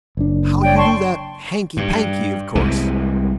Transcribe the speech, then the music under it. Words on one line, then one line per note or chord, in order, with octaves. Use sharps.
"How you do that hanky-panky, of course."
F#1 D4
C#5 D5 G5
A5 C6 C#6
G2
C2 C3 E3 G#3